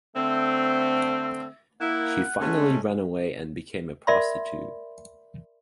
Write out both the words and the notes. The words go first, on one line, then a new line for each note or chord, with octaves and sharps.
She finally ran away and became a prostitute.
D3 A3 C4 E5
A#3 E4 F#5
G#3 A3 C#4
A#4 D5 E5 B5 C6